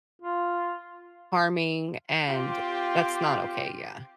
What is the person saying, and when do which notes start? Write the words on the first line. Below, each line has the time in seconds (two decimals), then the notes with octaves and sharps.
harming, and that's not OK, yeah.
0.22 F4
2.29 C4 F4 G4